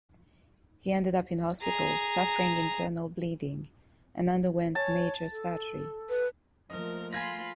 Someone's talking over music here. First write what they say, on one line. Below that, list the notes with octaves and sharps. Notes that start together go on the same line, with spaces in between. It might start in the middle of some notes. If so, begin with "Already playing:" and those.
He ended up in hospital suffering internal bleeding and underwent major surgery.
G#4 A#5
C#5 A5
A4
B4
F3 A3 A#3 A#4 D#5
F4 G#5 B5 C6 G#6 A#6